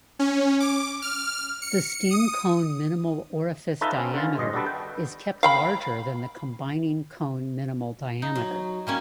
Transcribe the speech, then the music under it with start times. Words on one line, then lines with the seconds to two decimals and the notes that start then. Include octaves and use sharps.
The steam-cone minimal orifice diameter is kept larger than the combining cone minimal diameter.
0.19 C#4
0.60 D6
1.02 F6
1.62 C#7
2.11 D#6
3.81 D#4 F4 A4 B4 D#5 E5
3.94 C4 C#4
4.14 D3 F4
4.37 G1 G2 D#5
4.53 G3 F#4 A4 B4
4.66 G5
5.43 F5 G5 B5
8.22 D#4
8.35 F#3
8.87 G3 A#3 C#4